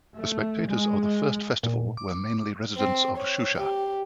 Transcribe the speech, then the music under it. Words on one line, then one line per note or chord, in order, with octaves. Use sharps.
The spectators of the first festival were mainly residents of Shusha.
A3
G#3
A#2
D6
C4
C#5
G4